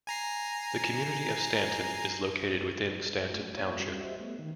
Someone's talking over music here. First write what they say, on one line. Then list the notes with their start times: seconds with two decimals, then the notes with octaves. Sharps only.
The community of Stanton is located within Stanton Township.
0.07 G#5 A#5 C7
3.32 A3
3.57 A#3 C#5
3.80 G3 C#4 F#4
4.01 G4 C5 D#5 E5
4.20 A3 B3
4.39 D#3